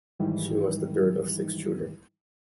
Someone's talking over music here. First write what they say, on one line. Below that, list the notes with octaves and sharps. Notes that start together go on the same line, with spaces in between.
She was the third of six children.
G#2 D#3 E3 G3